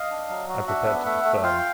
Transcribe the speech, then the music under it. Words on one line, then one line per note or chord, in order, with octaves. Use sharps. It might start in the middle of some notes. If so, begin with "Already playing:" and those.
I prepared to be firm.
Already playing: D#5 F5
D4
F#3
F#4
D4 E5 F#5
B3
A3 E5 F#5
A3
F4 F5 G5